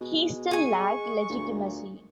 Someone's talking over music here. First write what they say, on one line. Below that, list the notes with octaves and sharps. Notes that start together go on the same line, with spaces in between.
He still lacked legitimacy.
B2 G#3
G#4 G#5 C#6
D2 A#2